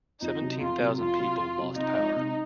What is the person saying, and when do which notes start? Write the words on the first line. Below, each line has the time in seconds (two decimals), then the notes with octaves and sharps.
Seventeen thousand people lost power.
0.22 F2 D#4
0.41 C3 F#3
0.61 F2 F4
0.80 C3 F#3
0.99 F2 F4
1.19 C3 F#3
1.38 F2
1.58 C3 F#3
1.77 C3 D#4
1.97 F3 G#3
2.16 C3